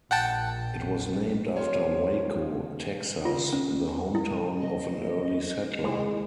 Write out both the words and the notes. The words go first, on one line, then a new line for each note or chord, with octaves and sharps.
It was named after Waco, Texas, the hometown of an early settler.
A#1 F#5 G5 A5
F4 G4 C5 C#5 F5
F4
C#4
E4
D#5
G#3 E4